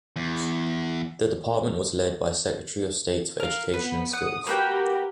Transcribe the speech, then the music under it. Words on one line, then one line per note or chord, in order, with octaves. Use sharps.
The department was led by Secretary of State for Education and Skills.
E2
A#4 F5
B3 B4
F#5 D#6
A#3 F#4 G4 A#4 B4 G5